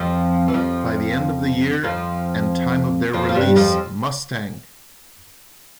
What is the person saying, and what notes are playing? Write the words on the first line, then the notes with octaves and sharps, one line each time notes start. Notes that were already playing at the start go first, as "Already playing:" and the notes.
By the end of the year and time of their release, Mustang!
Already playing: F2 F3
E3
F2 F3
F2 F3
F2 F3
F3
G2 G3
F2 F3